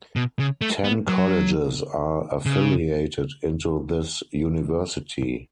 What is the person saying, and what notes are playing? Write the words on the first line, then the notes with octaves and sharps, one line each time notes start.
Ten colleges are affiliated into this university.
B2
C#3
A3
B3
F#3
C#3